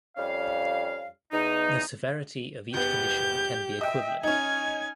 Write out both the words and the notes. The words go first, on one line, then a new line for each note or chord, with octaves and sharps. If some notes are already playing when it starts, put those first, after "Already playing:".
The severity of each condition can be equivalent.
F2 G3 C#4 F5
E2 D#4
F#1 B3 G4 G6
D#5 E5 G5
C#4 D#4 G#5 G#6